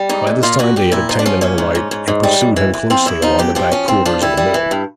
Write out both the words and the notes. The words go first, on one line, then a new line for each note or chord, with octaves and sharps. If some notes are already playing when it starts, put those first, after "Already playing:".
By this time they had obtained another light, and pursued him closely along the back quarters of the mill.
Already playing: G3
G#2 D#4
A#2
A#2 F4
A#2 F#4
A#2 G4
A#2 E4
F3 D#4
D4
F3 C#4
A#2 C#4
G#2
G#2
G#2
G#2
G3
G#2
E3
E3
F3 C4
E2 E4
F3 D#4
E2 G4
F3 G4
F3 C#4
F3 C4
F3 D4
G3 E4
G3
E3
G2